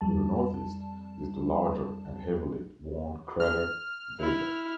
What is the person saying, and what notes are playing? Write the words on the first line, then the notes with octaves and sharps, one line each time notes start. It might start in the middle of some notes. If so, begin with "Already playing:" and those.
To the northeast is the larger and heavily worn crater Vega.
F2 G3 A5
F6
E4